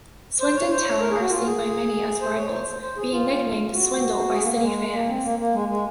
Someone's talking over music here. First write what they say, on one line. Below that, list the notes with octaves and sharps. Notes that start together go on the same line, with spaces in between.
Swindon Town are seen by many as rivals, being nicknamed 'Swindle' by City fans.
C5
C#5
C5
C#5
A#4
G#4
F#4
F4
G#4
C5
C#5
C5
C5
G#4
F4
F#4
G#4
A#3
A#3
G#3
A#3
C4
A#3
A#3
G#3
G#3